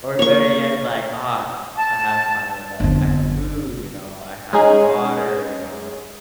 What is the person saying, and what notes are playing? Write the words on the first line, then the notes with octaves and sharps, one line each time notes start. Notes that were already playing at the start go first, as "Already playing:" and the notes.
or, better yet, like, uh, I have my like, I have food, you know, I have water, you know.
A#3 C#5 C#6
A5
G1 F2
G#3 C#4 D#4 G#4